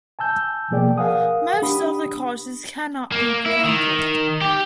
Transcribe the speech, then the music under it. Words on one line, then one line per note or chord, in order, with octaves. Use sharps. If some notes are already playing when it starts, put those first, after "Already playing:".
Most other causes cannot be prevented.
G#5 A5 E6 G6
B2 F3 A#3 G#4 D5 G5
A#4 F5 F#5 G#5 D#6
D4 G4 B5 D#6
A#3
E4
D#3
G4